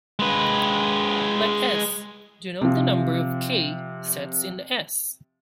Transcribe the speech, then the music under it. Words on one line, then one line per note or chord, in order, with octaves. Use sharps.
Let "s" denote the number of "k"-sets in "S".
G#3 B4
C3 F3